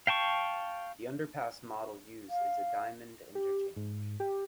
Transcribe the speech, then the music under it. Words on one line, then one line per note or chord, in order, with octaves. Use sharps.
The underpass model used is a diamond interchange.
F5 G5 A5 C#6
F5
G4
G#2
G4